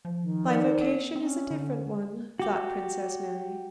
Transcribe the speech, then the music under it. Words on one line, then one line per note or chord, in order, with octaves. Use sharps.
"My vocation is a different one," thought Princess Mary.
F3
D#3
D#4 A#4 D5
B3 D4
C4 C#4
D3
F#4 G4